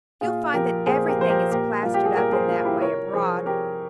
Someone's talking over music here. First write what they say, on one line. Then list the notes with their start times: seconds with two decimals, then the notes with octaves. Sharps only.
"You'll find that everything is plastered up in that way abroad."
0.21 A#2 F4 G#4
0.53 F3 G4 A#4
0.86 A#2 G#4 C5
1.08 G4 A#4
1.18 F3 C5
1.30 G4 A#4
1.51 A#2 G4 A#4
1.83 G3 F4
1.94 G4
2.06 G#4
2.16 A#2 G4 A#4
2.32 G#4 C5
2.48 G3 F4
2.65 E4 G4
2.81 C3 A#4 C#5
3.13 F3 G#4 C5
3.46 C3 G4 A#4